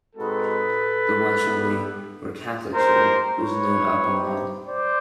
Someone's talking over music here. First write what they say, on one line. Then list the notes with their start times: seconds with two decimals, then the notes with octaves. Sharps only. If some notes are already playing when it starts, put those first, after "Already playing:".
The westwardly, where Catholics lived, was known as up along.
0.16 G#3 C4 D#4 F#4 A4 B4
1.45 G3 B3 E4 G4
2.73 C4 D#4 G4 A#4 C5
3.38 B4 C#5
4.02 C4 D#4 G4
4.66 C5 D5